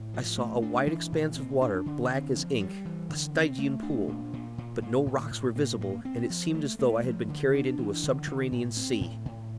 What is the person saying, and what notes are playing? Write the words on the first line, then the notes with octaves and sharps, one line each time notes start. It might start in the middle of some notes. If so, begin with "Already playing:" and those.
I saw a wide expanse of water, black as ink--a Stygian pool; but no rocks were visible, and it seemed as though I had been carried into a subterranean sea.
Already playing: A2
F3
A3
D4
E3
A#2
C4
D4
D3
C4
F3
G3
E3
D3
C4
A3
D4
A#2
A#2
A#2
A#2
A2
A2
A#3
A#3
C4
F3
A3
A3
F3
D3
D4
E3
D3
D3
A2
C4
A2
A2